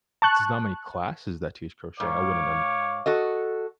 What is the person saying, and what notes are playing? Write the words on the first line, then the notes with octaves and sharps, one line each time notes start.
there's not many classes that teach crochet I wouldn't
A5 C#6 F#6
G#2 C#5 F5 D6
F#4 A4 D#5